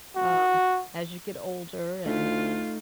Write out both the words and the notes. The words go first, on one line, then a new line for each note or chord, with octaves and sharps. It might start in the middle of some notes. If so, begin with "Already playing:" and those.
Um, as you get older and
F#4
D2 A3 D#4 F4